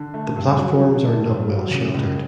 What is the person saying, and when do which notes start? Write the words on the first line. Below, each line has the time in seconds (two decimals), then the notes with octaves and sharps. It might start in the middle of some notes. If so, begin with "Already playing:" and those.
The platforms are not well sheltered.
Already playing: D3
0.14 A3
0.36 G2
0.58 F#3
0.81 D3
1.04 A3
1.26 G2
1.48 F#3
1.71 C#3
1.94 C#2